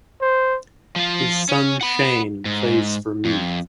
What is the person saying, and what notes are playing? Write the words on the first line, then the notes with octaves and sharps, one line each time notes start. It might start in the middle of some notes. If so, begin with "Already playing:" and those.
His son Shane plays for Meath.
C5
F3 F4
C#4
F#5 B5
G#2
F2